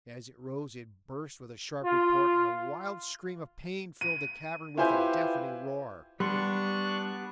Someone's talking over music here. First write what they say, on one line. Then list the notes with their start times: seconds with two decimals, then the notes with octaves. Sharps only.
As it rose it burst with a sharp report, and a wild scream of pain filled the cavern with a deafening roar.
1.84 F4
4.01 D#7
4.78 E4 F4 G4 B4 C5 G#5
6.20 G3 B3 D4 C6 C#6 F#6